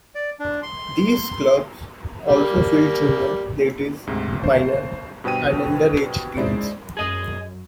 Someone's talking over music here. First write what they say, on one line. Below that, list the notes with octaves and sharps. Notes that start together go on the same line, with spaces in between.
These clubs also field Junior, Ladies, Minor and Underage teams.
D5
D4
C6
G3 A#3
D2 G#2 C3
G1 C5
G2 B2 B4 C5 G5 D#7
G#3 C#4 D#4 E4 C5 D5
F#2 G#4 D#5